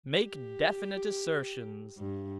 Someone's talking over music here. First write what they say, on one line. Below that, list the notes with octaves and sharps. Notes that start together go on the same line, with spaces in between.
Make definite assertions.
G4
G2